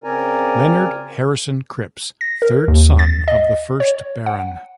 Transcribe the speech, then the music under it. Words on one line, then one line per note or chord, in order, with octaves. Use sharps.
Leonard Harrison Cripps, third son of the first Baron.
C#3 C4 A#4 D5 G#5 A#5
A#6
A#4
D#2
A6
D#5
C#5
F#5